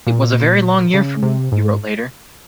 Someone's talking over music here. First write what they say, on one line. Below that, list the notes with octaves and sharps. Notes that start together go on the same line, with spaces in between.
"It was a very long year for me," he wrote later.
A#2
C#3
C3
G#2